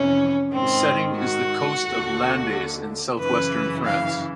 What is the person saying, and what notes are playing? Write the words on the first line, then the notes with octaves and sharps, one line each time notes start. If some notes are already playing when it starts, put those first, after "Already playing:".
The setting is the coast of Landes in southwestern France.
Already playing: F2 C3 E3 C#4
G#2 D#3 C4
F#4
D#2 D3
F#2 C#3 E3 B4
F5